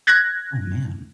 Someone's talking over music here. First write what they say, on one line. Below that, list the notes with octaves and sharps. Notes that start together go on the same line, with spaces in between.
Oh man.
F#6 G#6 A#6